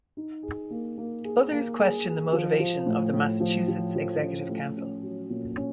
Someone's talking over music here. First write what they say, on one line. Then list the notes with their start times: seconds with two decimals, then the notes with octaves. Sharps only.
Others question the motivation of the Massachusetts Executive Council.
0.17 D#4
0.43 G#4
0.70 A#3
0.98 A#3
1.24 G#4
1.51 A#3
1.78 G#4
2.06 G#4
2.33 F3
2.60 F3
2.86 A2
3.13 A2
3.40 F3
3.68 F3
3.95 F3
4.23 C#4
4.49 A3
4.77 C#4
5.03 F#3
5.30 A#2
5.57 C#4